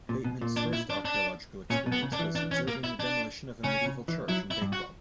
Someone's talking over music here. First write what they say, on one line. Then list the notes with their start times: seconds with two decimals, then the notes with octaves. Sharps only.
Bateman's first archaeological experience was observing the demolition of a medieval church in Bakewell.
0.09 A#2
0.24 B2
0.41 A#2
0.57 D4
0.73 E4
0.90 D4
1.05 D4
1.70 A#2 C#4
1.86 B2
1.92 B3
2.02 C#3
2.13 D4
2.19 E3
2.35 D4
2.51 C#4
2.68 A#3
2.84 E4
3.00 D4
3.64 C#3 C#4
3.86 C#3
4.08 E3
4.28 F#3 E4
4.51 E4
4.62 G2
4.73 F#4